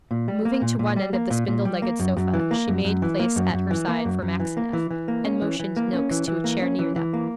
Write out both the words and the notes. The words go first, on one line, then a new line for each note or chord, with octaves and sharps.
Moving to one end of the spindle-legged sofa, she made place at her side for Maxineff, and motioned Noakes to a chair near them.
A#2
G3
A#3
A#2
A#2
G3
A#3
A#2
A#2
G3
A#3
F#2
F#2
E3
A#3
F#2
F#2
E3
A#3
F#2
F#2
E3
A#3
F#2
F#2
E3
A#3
E3
E3
A#3
C#4
E3
E3
A#3
C#4
E3
E3
A#3
C#4
E3
E3
A#3